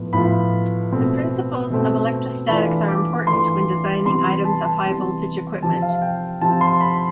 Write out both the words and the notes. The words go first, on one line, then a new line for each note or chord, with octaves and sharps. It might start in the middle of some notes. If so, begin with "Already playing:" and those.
The principles of electrostatics are important when designing items of high-voltage equipment.
Already playing: A2 F3 B3 F4
A2 F3 B3 F4 B5
B2 A3 C4
B2 A3 C4
E3 A3 D4 F4 B5
D6
E3 A3 D4 F4 C6
C3 E3 G3 B3 C6
B5
A5
A5
C3 E3 G3 B3
C3 F3 C4 F4 A5
F5
G5
C3 F3 C4 F4 A5
C6
B5